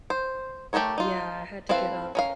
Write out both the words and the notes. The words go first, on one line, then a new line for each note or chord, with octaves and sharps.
Yeah, I had to get up
C5
A3 G4 A4 A#4 C#5
D#4 F4
C4 E4 A4 B4 F5
C#4 A#4 F5